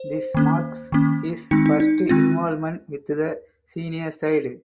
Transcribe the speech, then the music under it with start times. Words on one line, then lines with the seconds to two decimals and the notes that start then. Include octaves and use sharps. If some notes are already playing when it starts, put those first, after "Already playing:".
This marks his first involvement with the senior side.
Already playing: C5
0.35 D#3 A#3 C#4
0.92 D#3 A#3 C#4
1.51 D#3 G#3 C4 D#4
1.66 D#4
1.80 D#4
2.09 D#3 G#3 C4 F4